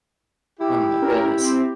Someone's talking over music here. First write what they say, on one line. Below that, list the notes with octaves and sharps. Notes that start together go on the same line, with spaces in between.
Oh my goodness.
E4 G4
C#4 A#4
C4